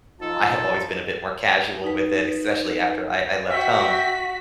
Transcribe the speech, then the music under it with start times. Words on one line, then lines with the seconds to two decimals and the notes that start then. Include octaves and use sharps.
I have always been a bit more casual with it, especially after I I left home.
0.21 F3 D#4 F4 A4
1.84 D#4 B4
3.50 F#4 E5 G5 B6